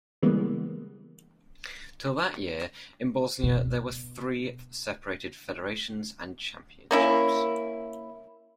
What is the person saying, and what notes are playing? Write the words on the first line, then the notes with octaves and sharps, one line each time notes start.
Till that year, in Bosnia there were three separated federations and championships.
C#3 E3 G3 G#3 A#3 B3
B2
A#3 C#4 E4